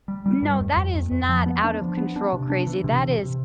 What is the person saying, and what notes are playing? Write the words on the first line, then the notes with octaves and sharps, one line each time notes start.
No, that is not out of control crazy, that is
G3
G3
G2
F2
F2
F2
F2
F3
B3
D4
F3
B3
D4
C3
D4
E3
C3
C3
C3